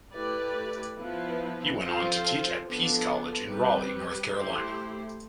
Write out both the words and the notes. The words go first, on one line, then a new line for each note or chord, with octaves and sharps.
He went on to teach at Peace College in Raleigh, North Carolina.
A3 E4 G4 B4 D5
F3 B3 E4 B4
F3 C4 F4 A4 C5
F3 B3 D4 A4
G3 C4 G4 B4
A3 E4 G4 C5